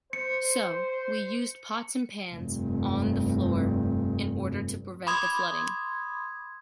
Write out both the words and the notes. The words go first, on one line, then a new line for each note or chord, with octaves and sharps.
So, we used pots and pants on the floor in order to prevent the flooding.
C5 C#7
F1 G2
B5 C6 D6 D#6 G#6